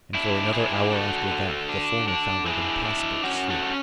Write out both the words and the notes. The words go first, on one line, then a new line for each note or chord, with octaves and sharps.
And for another hour after that the former found it impossible to sleep.
D4 E4
D4 E4 G#4
D3 F#4 A4
D3
D4
D4
D4 E4 G#4
D4 E4
C#4 F#4
F#4 A4
C#4